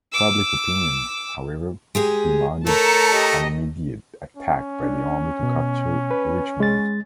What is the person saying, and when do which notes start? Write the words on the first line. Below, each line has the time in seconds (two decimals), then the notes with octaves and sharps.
Public opinion, however, demanded an immediate attack by the army to capture Richmond.
0.12 D6 E6
1.95 G#3 G4 G#4
2.67 A3 A#4 C#5 A5 A#5 C#7
3.09 G4 D#5
4.37 C#4
4.83 D4
5.43 B2
6.11 B4
6.60 G#3 A6